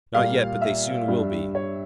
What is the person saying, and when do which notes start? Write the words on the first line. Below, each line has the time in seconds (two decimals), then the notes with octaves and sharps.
"Not yet, but they soon will be."
0.15 A#2 G3 F5
0.62 E5
1.08 G2 G3
1.55 C#5